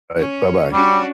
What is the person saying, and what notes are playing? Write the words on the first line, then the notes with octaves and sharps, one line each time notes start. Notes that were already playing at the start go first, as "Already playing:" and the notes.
Alright, bye-bye.
C#4
G3 C#4 D4 F#4